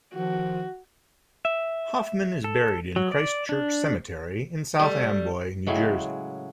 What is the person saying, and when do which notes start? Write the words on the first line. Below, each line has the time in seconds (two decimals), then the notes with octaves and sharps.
Hoffman is buried in Christ Church Cemetery in South Amboy, New Jersey.
0.13 D#3 F3 F#4
1.45 E5
2.44 A4
2.96 F#3
3.12 D5
3.49 D4
4.80 G3 A3
5.67 A2 C#3 F#3 G#3